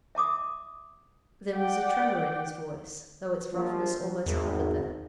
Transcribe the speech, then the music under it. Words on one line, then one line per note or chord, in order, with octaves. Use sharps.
There was a tremor in his voice, though its roughness almost covered that.
E5 A5 D6 D#6
D5 F#5 G5
A#1 F3
G#1 E2